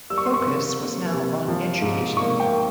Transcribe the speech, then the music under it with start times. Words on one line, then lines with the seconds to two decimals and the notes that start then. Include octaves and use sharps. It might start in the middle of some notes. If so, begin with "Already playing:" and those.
The focus was now on educating.
0.10 G3 E6
0.18 C#6
0.26 C6
0.34 C#6
0.44 C3
0.79 A#3
1.13 C3
1.48 F3
1.82 G#2
2.17 A#3 C#6
2.40 G5